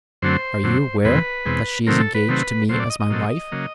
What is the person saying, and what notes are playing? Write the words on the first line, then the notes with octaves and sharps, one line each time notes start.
Are you aware that she is engaged to me as my wife?
F#2 D3 F#3 A3 C4 C5
F#2 D3 F#3 A3 C4
E2 B2 G#3 C4 B4
E2 B2 G#3 C4
C3 D#3 F#3 A3 C4 A#4
A4
B4
C3 D#3 F#3 A3 C4
A#2 F#3 A3 C4 C5
D5
D#5
D#5
A#2 F#3 A3 C4
C#3 F#3 A#3